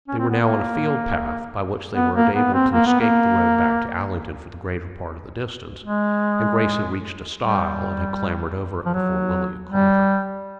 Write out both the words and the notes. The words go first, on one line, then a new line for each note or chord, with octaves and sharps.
They were now on a field-path, by which they were enabled to escape the road back to Allington for the greater part of the distance, and Grace had reached a stile, and had clambered over it before Lily had caught her.
C#4
C4
B3
A#3
B3
A#3
B3
C4
A#3
B3
A#3
G#3
G3
F3
F#3
G3